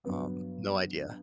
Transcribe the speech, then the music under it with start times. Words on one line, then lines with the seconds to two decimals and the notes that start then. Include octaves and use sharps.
Um, no idea.
0.05 G2 F#3 B3